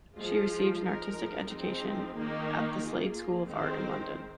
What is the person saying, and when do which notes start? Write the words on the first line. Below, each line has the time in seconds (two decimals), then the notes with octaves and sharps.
She received an artistic education at the Slade School of Art in London.
0.16 F3 G#3 F4
0.82 F3 G#3 D#4 A#4
1.49 F3 G#3 C4 D#4
2.15 D#3 A#3 D#4
2.82 A#3 F4 G#4
3.48 D#3 G#3 C4 D#4 C5